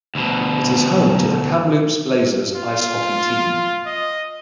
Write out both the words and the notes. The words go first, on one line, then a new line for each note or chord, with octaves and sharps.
It is home to the Kamloops Blazers Ice hockey team.
D2 B2
F4
D#5